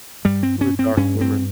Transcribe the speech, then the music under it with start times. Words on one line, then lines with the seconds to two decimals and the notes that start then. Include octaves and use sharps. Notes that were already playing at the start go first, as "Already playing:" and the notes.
With dark humor.
0.25 G2 G3
0.43 C4
0.61 C#4
0.79 C4
0.97 G2 C#4
1.21 C4